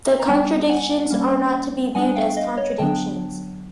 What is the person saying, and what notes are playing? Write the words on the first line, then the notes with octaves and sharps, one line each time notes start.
The contradictions are not to be viewed as contradictions.
A#5
G3 B3 D4 G5 A5
F#5 G#5
G3 A#3 C#4
G3 B3 D4 F#5 G#5
F5 G5
D#5 F5
C#5 D#5
D3 F#3 B3 D4 G5 A5